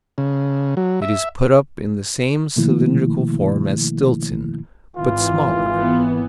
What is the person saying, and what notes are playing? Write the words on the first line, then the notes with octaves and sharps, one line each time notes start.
It is put up in the same cylindrical form as Stilton, but smaller.
C#3
F#3
E5
B2 D#3 F3 A3 A#3 E4
G#1 E3 F4
B3